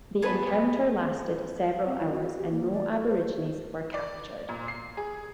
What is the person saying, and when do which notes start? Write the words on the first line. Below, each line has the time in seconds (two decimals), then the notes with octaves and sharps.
The encounter lasted several hours, and no Aborigines were captured.
0.22 B3 G#4 B4 C#5 A5 B5
1.86 C4
2.00 E4
2.12 F#4
2.38 G4
2.51 A#3
2.73 D5
2.91 A4
3.08 C5
3.94 D5
4.49 A#2
4.68 C7
4.97 G#4